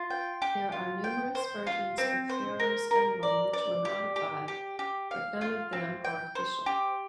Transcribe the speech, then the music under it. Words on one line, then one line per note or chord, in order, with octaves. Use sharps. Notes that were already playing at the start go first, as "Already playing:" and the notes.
There are numerous versions of Ferro’s emblem which were modified, but non of them are official.
Already playing: F4
G5
G4
F4
G5
C5
F4
C4
C5
A#4
A#4
D5
D5
G4
G4
G4
G4
F5
F4
C4
G5
C5
G4